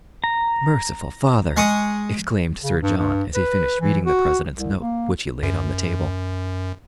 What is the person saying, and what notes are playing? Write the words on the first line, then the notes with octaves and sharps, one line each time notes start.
"Merciful Father!" exclaimed Sir John, as he finished reading the President's note, which he laid on the table.
A#5
G#3 C#6 D#6
C#3
G2
G2
B4
E3
F#4
C2
A#3
F#2